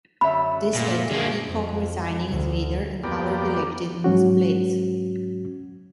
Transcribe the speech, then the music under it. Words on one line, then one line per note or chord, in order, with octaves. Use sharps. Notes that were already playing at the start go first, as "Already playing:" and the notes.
This led to Peacock resigning as leader and Howard elected in his place.
F#2 D3 E5 B5
A#2
D3 A#3 G#4
F2
D2
F2 A#3 B3 G4 D5
G#2 F#3 C#4 F#4